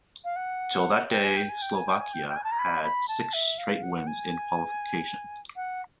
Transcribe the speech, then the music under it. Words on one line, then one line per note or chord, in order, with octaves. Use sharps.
Till that day, Slovakia had six-straight wins in qualification.
F5
F#5
G5
G#5
G5
G#5
G5
G#5
G5
G#5
G5
G5
G#5
A5
A#5
B5
B5
A5
E5
F5
F#5
G#5
F#5